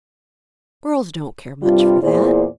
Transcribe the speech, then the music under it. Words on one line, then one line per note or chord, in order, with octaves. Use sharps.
"Girls don't care much for that."
G2 C3 G3 F4
E2 A#2 E4 G#4 C5 D5